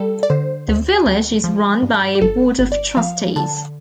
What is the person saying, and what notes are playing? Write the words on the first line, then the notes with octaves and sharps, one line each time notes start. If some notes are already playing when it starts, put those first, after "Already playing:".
The village is run by a Board of Trustees.
Already playing: G3 A4
D5
D3 C5
D2
D2
F3
G2
G4
G1 A4
G1
D5
F3 F5
D3 A5